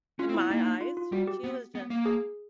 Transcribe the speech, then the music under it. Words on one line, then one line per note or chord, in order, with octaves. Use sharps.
in my eyes, sh she was just, like,
C#4 F4
C4
E4
B3
A#3 D#4
D#4
F4
F4
G3 F#4
G4
B3
B3
A#3
G#4